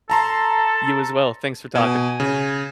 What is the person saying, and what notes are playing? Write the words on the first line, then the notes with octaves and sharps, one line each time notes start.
You as well, thanks for talking.
A4 A5 A#5 C6
B2 G#5
C#3